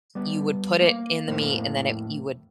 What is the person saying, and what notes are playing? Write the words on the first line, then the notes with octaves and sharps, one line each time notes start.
you would put it in the meat, and then it you would
G3 B3
A#3 F5
F2 A2 A#3 C5 F5